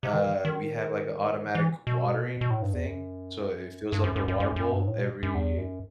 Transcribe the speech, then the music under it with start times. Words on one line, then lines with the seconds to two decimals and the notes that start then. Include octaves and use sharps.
Uh, we have, like, a automatic watering thing. So it fills up her water bowl every
0.03 C3
0.13 D#3
0.45 D#3
1.55 E3
1.87 B2
2.41 B2
2.50 A2
2.62 G2
2.74 E2
2.86 F#2
3.92 G2
4.04 F#2
4.16 F#2
4.28 F#2
4.40 F#2
4.56 F#2
4.72 G2
4.87 A2
4.99 B2
5.23 F#2
5.35 E2
5.58 F#2